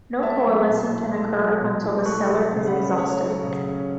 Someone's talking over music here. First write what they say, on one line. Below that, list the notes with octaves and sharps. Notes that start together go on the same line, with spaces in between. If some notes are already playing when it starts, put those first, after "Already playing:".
No coalescing can occur until the cellar is exhausted.
A3 E5 A5
F#3
B2
E4
A3
F#3
B2
E4
A3 C#6 F#6
F#3
C#3
F#5 B5
C#4
A3 C#5 F#5
F#3
C#3
C#4